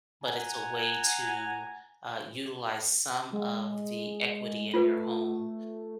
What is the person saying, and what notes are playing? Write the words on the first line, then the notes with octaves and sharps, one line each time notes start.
but it's a way to, uh, utilize some of the equity in your home
F#5 G#5 A#5
G#3
A3 F4 A4 B4